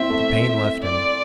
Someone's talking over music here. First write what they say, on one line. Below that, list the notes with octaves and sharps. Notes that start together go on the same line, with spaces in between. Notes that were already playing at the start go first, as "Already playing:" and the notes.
The pain left him.
Already playing: C4 E4 E5
A3
D5